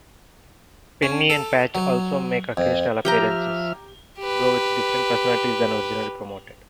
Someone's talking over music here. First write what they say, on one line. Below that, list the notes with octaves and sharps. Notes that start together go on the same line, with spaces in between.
Penny and Patch also make occasional appearances, though with different personalities than originally promoted.
C#4
A4
F#3
F2
F3 G4 E5 G5 A#5 F6
G4 B4